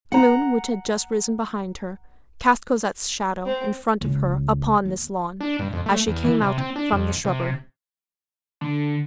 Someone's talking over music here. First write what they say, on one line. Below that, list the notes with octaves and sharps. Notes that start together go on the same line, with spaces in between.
The moon, which had just risen behind her, cast Cosette's shadow in front of her upon this lawn, as she came out from the shrubbery.
F#5 A#5
C4
C#2
E2
D4
G2
F2
A3
E2
E3
C3
C4
D4
F2
C3
D3